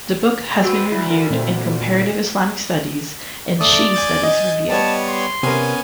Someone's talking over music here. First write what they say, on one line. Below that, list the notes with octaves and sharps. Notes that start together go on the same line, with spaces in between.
The book has been reviewed in "Comparative Islamic Studies" and "Shii Studies Review".
C4 F#4 B4
D2 E4
E4 A#4
A#2 A3 C4
A3 D5 D#6
G#5 G6 A6
D#5
G3 B3 C#5 A5
C6
C3 B3 C#4 A#4 G#5